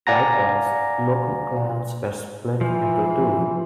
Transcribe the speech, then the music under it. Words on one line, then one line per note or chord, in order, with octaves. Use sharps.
Likewise, local clans were split into two.
D5 F5 F#5 G#5 A#5 A#6
E3 F3